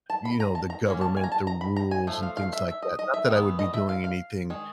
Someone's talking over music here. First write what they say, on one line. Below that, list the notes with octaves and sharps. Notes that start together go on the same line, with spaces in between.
you know, the government, the rules, and things like that. Not that I would be doing anything,
A5
B5
A#5
A5
A#5
F#3 A#3 C#4
A5
G#5
A#5
A5
A#5
B5
A#5
G#5
F3 A3
F5
F5
E5
E5
D#5
D#5
E5
D#3 G#3 B3
D#5
E5
F5
F5
D#3 G#3